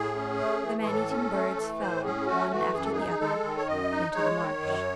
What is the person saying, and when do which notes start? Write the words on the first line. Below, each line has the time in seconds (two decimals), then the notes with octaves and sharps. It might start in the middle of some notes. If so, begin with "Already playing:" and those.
The maneating birds fell, one after the other, into the marsh.
Already playing: A2 G#4
0.16 C#4
0.40 A3
0.63 E3
0.82 G#4
0.86 A2 A4
1.10 C#4
1.34 A3
1.57 E3
1.80 A2 C5
2.04 C#4 G#4
2.27 A3 F#4
2.51 E3 F#4
2.74 F#2 G#4
2.83 A4
2.92 D#4 G#4
3.20 G#3 A4
3.44 D#3
3.57 C#5
3.68 F#2 D#5
3.91 D#4
4.14 G#3 C#5
4.39 D#3
4.62 F#2